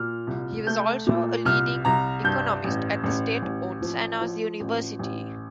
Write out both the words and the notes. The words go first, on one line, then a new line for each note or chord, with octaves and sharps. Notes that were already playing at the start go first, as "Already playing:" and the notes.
He was also a leading economist at the state-owned Sana'a University.
Already playing: A#2 F6
C2
A3 G6
A#2
C2 F6
C2 A#5
G2 G6
A1
A1
A1
F3
F3
A1
A1